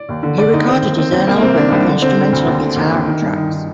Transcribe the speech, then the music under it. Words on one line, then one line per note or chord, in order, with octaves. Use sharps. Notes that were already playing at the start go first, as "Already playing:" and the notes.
He recorded his own album of instrumental guitar tracks.
Already playing: D5
D#2
D3
D3 D5
D#2 D#4
D#3 C4
D#2
D#3 C4
D#2 C4
C2 A#3
A#3
C3 C4
D#3 D4
C2
D3
D3 C4
D3
D2
D#2
D3
D#2
D#2
D#3
G2
D#3
D#3